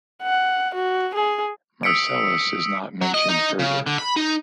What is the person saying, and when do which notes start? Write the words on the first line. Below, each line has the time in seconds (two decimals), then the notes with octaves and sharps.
Marcellus is not mentioned further.
0.22 F#5
0.74 F#4
1.14 G#4
1.83 D#6 E6 B6 C#7 D7
3.02 F#3
3.14 D#5
3.29 D#4
3.60 C#3
3.87 D3
3.98 B5
4.16 D#4